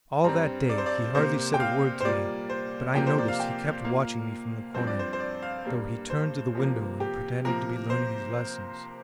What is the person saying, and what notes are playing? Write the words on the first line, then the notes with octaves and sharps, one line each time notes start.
All that day he hardly said a word to me, but I noticed he kept watching me from the corner, though he turned to the window and pretended to be learning his lessons.
G2 G3 C4 A#5
D5
C5
D5
C3 A#3 C5
G5
F5
C5
A#2 G3 A#3 D5
C5
C3 F3 A#3 G5
C5
D5
F5
G5
A#2 A#3 F5
G2 F3 C4 C5
D5
C5
C5
D5
F5
G2 G3 A#3
C5
C3 F3 A#3
G4
C3 F3 A#3 A#4
C5